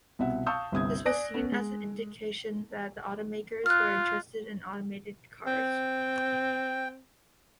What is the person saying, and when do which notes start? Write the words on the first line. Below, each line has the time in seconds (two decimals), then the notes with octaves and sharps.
This was seen as an indication that the automakers were interested in automated cars.
0.19 C2 B2 E5 F#5
0.47 F5 A5 C#6 D#6 E6 G6
0.72 G1 C2 D#6 G#6
1.06 D5 G#5 D#6 F#6 A#6 D7
1.34 B3 C#4
1.52 G#3
3.66 F4 F6 F#6
5.46 C4 G5